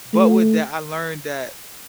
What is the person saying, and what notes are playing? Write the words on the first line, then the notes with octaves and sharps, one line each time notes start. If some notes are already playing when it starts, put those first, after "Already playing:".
But with that, I learned that
A3